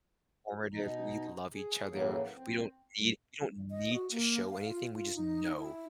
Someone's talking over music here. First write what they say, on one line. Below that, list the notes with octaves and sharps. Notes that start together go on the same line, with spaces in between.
performative, we love each other, we don't need we don't need to show anything, we just know,
B2 D#4
G#4
A2 C#3 E3 F#3 A#3
C4
D#5
F#4
A#3
F5
F4
F4
D#4
E4